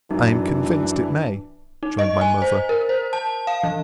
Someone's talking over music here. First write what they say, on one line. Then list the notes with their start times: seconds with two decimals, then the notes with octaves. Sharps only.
I am convinced it may, joined my mother.
0.11 F#2 E3 D4 D#4
1.83 D#4
1.99 D#5
2.21 G#5
2.42 C5
2.69 A#4
2.89 C5
3.13 A5
3.47 F5
3.63 E3